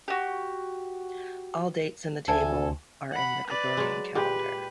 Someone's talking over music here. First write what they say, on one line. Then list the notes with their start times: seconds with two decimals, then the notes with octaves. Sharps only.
All dates in the table are in the Gregorian calendar.
0.08 F#4 G4
2.28 D2 A4 G#5
3.11 F#5 B5
3.47 B4 D5
3.77 F#3 G#3
4.15 A#2 G#3 G4 B4 D5 D6